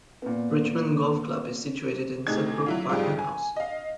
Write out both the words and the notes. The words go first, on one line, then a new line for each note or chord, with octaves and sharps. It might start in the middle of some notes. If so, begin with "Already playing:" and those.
Richmond Golf Club is situated in Sudbrook Park and House.
A#2 B3
A2 C3 D#4 G#4 G#6
F#3 E4 F4
F2 G#2 G3 G#3 F4
G#5
D#5 F5